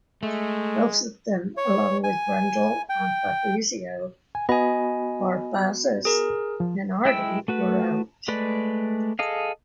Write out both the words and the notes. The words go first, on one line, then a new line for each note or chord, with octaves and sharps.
Both of them along with Brundle and Fabrizio Barbazza's Minardi were out.
G#3 A3
C#5
G#5
G5
G#5
B3 F#4 D#5 G#5 B5
G#4 A#4
F3
G#3 E4 G5 E6
A3 F#4 B4
G#3 A3 B4 D5
G#4 A4 D#5 F5